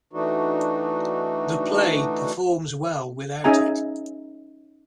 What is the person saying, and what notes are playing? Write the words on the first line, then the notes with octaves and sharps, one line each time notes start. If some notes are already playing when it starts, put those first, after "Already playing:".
The play performs well without it.
E3 A3 D4 D#4 F#4
C#4 D#4 G#4 E5 G#5 A#5